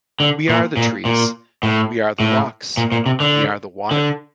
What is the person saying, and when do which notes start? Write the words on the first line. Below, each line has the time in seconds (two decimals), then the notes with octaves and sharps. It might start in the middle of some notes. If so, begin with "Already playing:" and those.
We are the trees, we are the rocks, we are the water.
0.20 D3
0.49 A#2
0.77 A#2
1.05 A#2
1.63 A2
2.20 A2
2.77 A#2
2.92 A#2
3.06 C3
3.20 D3
3.91 D3